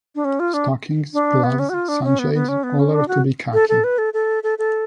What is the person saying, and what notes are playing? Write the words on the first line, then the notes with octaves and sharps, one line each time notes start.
Stockings, gloves, sunshades, all are to be khaki.
D4
C#4
F4
D4
D4
B3
C#4
F#4
F4
D4
C#4
B3
B3
C#4
B3
C#4
D4
F#4
A4
A4
B4
A4
A4
A4
A4